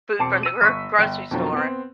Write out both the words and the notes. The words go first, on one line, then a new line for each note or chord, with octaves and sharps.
food from the gr grocery store
E1 C4 A5 D6 C7 C#7
E6 D#7
G1 C#6 B6
G1 G5
F2 B2 D3 F3 F#3
B3 C4